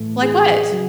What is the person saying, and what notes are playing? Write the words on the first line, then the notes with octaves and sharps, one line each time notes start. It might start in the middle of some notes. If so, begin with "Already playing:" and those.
"Like what?"
Already playing: A2 E3 A3
G#4
C#3 F#3